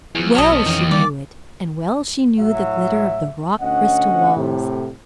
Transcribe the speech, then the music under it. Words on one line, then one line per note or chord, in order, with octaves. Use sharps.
Well she knew it, and well she knew the glitter of the rock-crystal walls.
E2 E3 F3
B1 F#3 C#5 D#5 A5 F6
E2 B3
F2 D#3 E3 C#4
D#2
D3 E3 G3 D5
A2 F#3 E5
D2 C#4 D#5 F#5
A2 C3